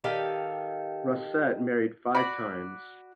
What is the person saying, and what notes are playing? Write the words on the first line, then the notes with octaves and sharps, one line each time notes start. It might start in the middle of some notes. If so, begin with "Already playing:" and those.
Rosset married five times.
D#3 G4 A4 F5
F#4 D5 B5